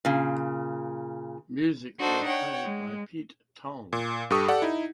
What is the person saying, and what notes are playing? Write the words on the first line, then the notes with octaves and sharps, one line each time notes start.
Music was by Pete Tong.
A#2 C#3
D4 D#4 F#4 A4 C5
C#5 F#5 G5
G#3
A#2
G2 G4 A4 C#6 D#6
G4 A4 D5 F#5
D#4 E4